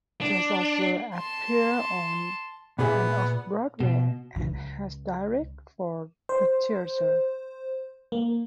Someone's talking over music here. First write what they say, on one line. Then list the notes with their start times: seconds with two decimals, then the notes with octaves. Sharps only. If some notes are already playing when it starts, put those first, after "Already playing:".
She has also appeared on and off-Broadway, and has directed for the theater.
0.21 D4
1.15 A5 C6
2.79 A#2 B3 G#4 E5
3.80 B2
4.36 C#2 C#3
6.29 C5
8.12 A#3